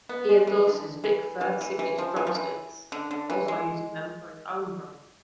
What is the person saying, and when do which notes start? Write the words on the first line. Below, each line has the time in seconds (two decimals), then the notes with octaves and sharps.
He endorses Vic Firth signature drum sticks, also using them for his own drumming.
0.09 B3
0.29 G#3
0.47 E3
0.67 D3
1.04 E3
1.41 E3
1.61 E3
1.79 E3
1.99 F3
2.16 E3
2.27 F3
2.35 E3
2.92 D3
3.11 D3
3.30 E3
3.48 G#3